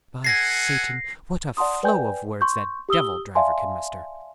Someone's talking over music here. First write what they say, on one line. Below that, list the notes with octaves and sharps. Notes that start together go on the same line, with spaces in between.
By Satan, what a flow of words that devil driver can muster!
A4 F#5 G#5 A#6 C7
D5 F#5 A5 C6 D#6
B4 D5 G5 G#5 G6
C6 C#6 G6
G4 D#6 E6 G7
D5 E5 F5 G#5 A5 C6